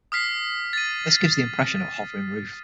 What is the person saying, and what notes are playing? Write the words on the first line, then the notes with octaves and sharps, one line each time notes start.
This gives the impression of a hovering roof.
D#6 F6 B6 C7
A6 D#7